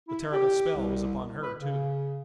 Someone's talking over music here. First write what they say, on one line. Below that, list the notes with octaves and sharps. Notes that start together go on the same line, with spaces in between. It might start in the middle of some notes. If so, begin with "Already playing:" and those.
The terrible spell was upon her, too.
E4
G4
C2
B4
C#3